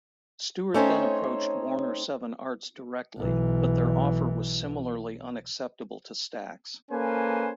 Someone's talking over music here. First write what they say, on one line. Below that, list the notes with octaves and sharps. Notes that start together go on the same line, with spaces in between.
Stewart then approached Warner-Seven Arts directly, but their offer was similarly unacceptable to Stax.
A3 C4 C#4 D#4 C5 C#5
B1 E3
A#3 C#4 A4 B4 C5 G#5